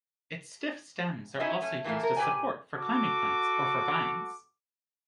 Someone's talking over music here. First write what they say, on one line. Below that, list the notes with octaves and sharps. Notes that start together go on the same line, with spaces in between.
Its stiff stems are also used as support for climbing plants or for vines.
F#3 C#4 D#4 E4 D#5
A3 C#4
A#2 E3 G3 A3 A#3
A#4
A#2 G4 B4 D5 G5 G#5
F#4 A4 D6